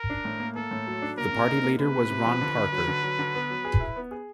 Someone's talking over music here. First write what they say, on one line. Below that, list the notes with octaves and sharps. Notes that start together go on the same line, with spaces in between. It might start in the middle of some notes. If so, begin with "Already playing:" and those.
The party leader was Ron Parker.
Already playing: A#4
D4
A2
A#3
A#3 A4
A2
F#3
D4
A#3 A#4
C3
D#4
A#3
C3 B4
C3
C3
F3
D3
D3
F#3
D3
F#3
D3
B3
F#3
G#4
E4
B3
G#4